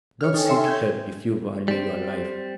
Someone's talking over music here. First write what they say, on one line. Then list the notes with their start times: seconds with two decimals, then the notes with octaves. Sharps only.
"Don't seek help if you value your life."
0.21 C#5 F6
0.34 D#4 A4 G5 G#5
0.48 C#5 E5 C6
0.65 G6 G#6
1.68 G3 C4